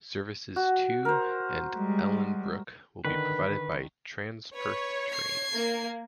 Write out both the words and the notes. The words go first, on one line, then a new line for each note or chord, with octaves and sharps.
Services to and Ellenbrook will be provided by Transperth Trains.
F#4
A#4 C5
G3 G#3
D3 D#3 B4
B4 C#5
G#6 C7
A#3